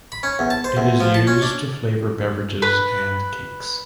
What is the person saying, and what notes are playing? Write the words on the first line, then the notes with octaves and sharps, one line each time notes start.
It is used to flavor beverages and cakes.
B5
C#4
E2
A5
C5
E2
F3
A5
C#4
D4
B4